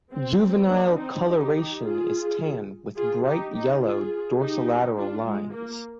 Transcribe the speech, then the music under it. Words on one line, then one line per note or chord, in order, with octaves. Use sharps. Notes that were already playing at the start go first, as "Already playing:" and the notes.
Juvenile coloration is tan with bright yellow dorsolateral lines.
C4
A#3 D4
C4 D#4
D#4 G4
F4 G#4
F4 G#4
D#4 G4
D#4 G4
F4 G#4
D#4 G4
D4 F4
G#3
A#3